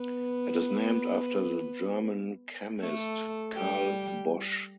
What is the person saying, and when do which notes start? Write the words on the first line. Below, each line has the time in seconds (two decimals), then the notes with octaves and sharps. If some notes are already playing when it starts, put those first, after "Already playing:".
It is named after the German chemist Carl Bosch.
Already playing: B3 B4
2.81 A3 A4
3.56 G3 G4